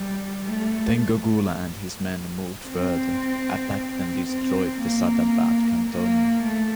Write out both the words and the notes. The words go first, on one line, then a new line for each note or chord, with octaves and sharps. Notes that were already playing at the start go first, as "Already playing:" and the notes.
Then Gokula and his men moved further, attacked and destroyed the Sadabad cantonment.
Already playing: G3
A3
C4
C4
A#3
A#3
A3